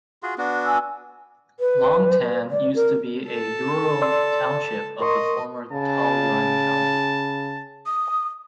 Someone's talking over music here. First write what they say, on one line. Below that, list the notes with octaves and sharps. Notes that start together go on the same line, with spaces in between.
Longtan used to be a rural township of the former Taoyuan County.
F4 F#4 G#4
B3 D4 F#4
G#5 E6
B4
D5
A#4
A4 A5
D5 C6 E6
A#4 D#5 C6 C#6
C#3 A5
D#6